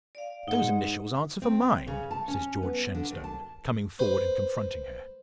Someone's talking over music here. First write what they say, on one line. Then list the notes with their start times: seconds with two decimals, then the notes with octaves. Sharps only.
"Those initials answer for mine," says George Shenstone, coming forward and confronting her.
0.15 D5 F5
0.48 G#2 D#4 F#5
1.42 C4
1.87 C#3
2.11 A5
2.28 C#4
2.63 B3
2.95 D3
3.11 D#2
3.24 A5
3.99 B4 C5